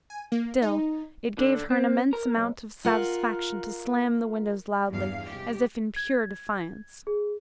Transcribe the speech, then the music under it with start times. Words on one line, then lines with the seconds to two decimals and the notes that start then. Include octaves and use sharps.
Still, it gave her an immense amount of satisfaction to slam the windows loudly, as if in pure defiance.
0.10 G#5
0.32 A#3
0.62 D#4
1.38 D3
1.70 C4
2.13 A#4
2.36 B1
2.85 F4 A#4 F#5
4.89 E2 G2 F5
5.28 C3 G#3 G4
5.96 G#6
7.07 G#4